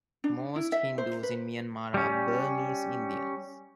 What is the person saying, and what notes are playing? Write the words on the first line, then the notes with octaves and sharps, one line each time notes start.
Most Hindus in Myanmar are Burmese Indians.
D4
E4
E5
C5
B4
G3 C#4